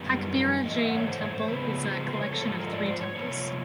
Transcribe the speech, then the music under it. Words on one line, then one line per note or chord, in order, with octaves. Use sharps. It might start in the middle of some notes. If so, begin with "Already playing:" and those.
Pakbirra Jain temple is a collection of three temples.
Already playing: F#2 D#3 G3 B3
G#2 E3 A3 D#5
E5
F#5
C#5
C5
C#5
C5
C#3 F3 G#3 B3 B4
C5
B4
C5
C#5
G#2 F3 A3 A4
A4
A#4
D#5
D5
C5
C#5
C3 F3 A#3 C#5